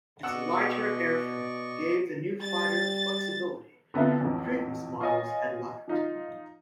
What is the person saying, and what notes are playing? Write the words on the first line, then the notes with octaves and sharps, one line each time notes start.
Its lighter airframe gave the new fighter a flexibility that previous models had lacked.
B2 D5 D#5 F#5 C#6 E6
G3 A6
D3 B3 C4 E4 F4
A1 F2
F4 C#5 D#5 G#5
F3 D#4 F4